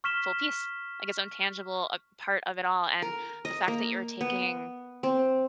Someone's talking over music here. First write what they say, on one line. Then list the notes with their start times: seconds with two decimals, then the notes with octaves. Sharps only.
full piece, like its own tangible, uh, part of it all, and the fact that you're taking,
0.04 C#6 F6 B6 E7 G7
3.02 A#4
3.45 D#5
3.68 A#3
4.21 B3
5.03 C4